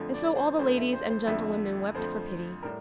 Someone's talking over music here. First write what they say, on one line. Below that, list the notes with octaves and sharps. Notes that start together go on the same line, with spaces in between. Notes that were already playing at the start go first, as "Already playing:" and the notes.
And so all the ladies and gentlewomen wept for pity.
Already playing: F2 D3 F3 A3
D5
C5
F2 D3 F3 A3 C5
E5
C5
C5
F2 D3 F3 A3 E5
F2 D3 F3 A3 C5
A2 G3 A#4